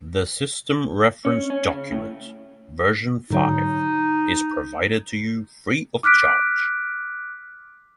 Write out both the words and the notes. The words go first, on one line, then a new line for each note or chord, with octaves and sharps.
The System Reference Document, version five, is provided to you free of charge.
C#4
C#4
C#3
A2
G#2 D3 F#3 D#4
D6 F6 F#6 B6 D7